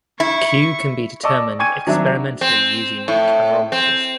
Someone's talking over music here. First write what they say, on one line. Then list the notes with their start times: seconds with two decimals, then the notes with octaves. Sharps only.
"Q" can be determined experimentally using calorimeters.
0.20 E4 C#6
1.23 D5 D#5 A5 C#6 D6 E6
1.59 G5 G#5 C#6 G#6 D#7
1.87 D#3 F#3 C4 D4 D5 E5
2.41 C4
3.08 A2
3.72 C4